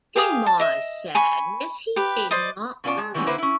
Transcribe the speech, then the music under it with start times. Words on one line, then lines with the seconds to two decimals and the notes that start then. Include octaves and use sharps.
To my sadness he did not come.
0.16 G4 G#4 F5 D#6
0.46 A5
0.60 D#5 E5
1.15 G#5 B5 C#6
1.96 G4 B4
2.31 C5 D5 D#5
2.84 B2 C#4 F4 D5 A5
2.98 G#3
3.14 D#3 E3 G3 G#3 B3 C#4
3.26 D3 A#3 E4 B4 C5
3.38 C#4 E4